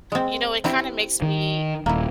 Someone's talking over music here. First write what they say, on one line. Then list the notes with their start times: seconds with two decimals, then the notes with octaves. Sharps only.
You know, it kinda makes me
0.12 G#3 C4
0.64 C4 E4 G4
1.22 D#3
1.86 D#1 A#3 E4